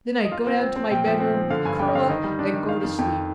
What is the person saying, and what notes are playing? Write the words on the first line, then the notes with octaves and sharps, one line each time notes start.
Then I go down to my bedroom, curl up and go to sleep.
D#5
F4 F5
C4
C4
C4
A#2 G5
F3
C4
F3
D3 F5
G2 G#5
G3 G5
D#5
D3 F5
D#3 D#5
G3
D4
D#3
D#3 F5
F2
F2 G5